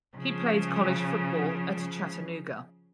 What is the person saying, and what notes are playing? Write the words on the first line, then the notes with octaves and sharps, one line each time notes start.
He played college football at Chattanooga.
C#3 F3